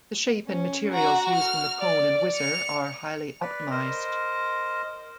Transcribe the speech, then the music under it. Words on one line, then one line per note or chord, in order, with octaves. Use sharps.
The shape and materials used in the cone and whizzer are highly optimized.
C#4
F#4 A#5
F6
D5
C#7 F7
B4 D5
A#4 C5 D#5